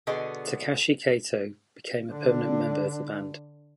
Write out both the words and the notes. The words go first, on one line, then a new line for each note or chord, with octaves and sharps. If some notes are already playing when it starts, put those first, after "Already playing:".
Takashi Kato became a permanent member of the band.
B2 D3 B3 G#4 D#5 G#5
D3 D4